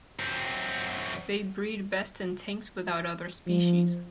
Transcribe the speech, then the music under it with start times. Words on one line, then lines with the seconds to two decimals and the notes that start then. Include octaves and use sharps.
They breed best in tanks without other species.
0.19 F#2 C4
3.48 F3